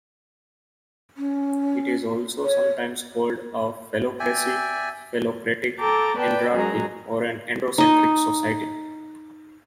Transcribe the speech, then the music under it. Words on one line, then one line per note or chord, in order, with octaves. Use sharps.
It is also sometimes called a phallocracy, phallocratic, andrarchy, or an androcentric society.
C#4
C#5
D5 E5 G5 G#5
A4 G5 A#5 D6 A6
B3 B4 D5 G5 A5
F#2 F#3 G#3 G#4 A#5
D#4 D#5